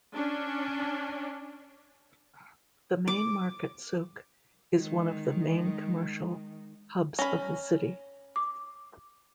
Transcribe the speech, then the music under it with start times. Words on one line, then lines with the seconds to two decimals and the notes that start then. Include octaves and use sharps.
The main market "soukh" is one of the main commercial hubs of the city.
0.14 C#4 D4
3.08 D6
4.76 D#3 G#3
7.19 C#4 B5 A#6
8.36 D6